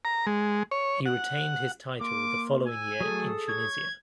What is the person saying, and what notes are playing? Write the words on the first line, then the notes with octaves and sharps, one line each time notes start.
He retained his title the following year in Tunisia.
A#5
G#3
C#5
F#5
A#3 C6 D6
G#5 E6
F#3 A3 G#4 A4 D#6
C#5 G#6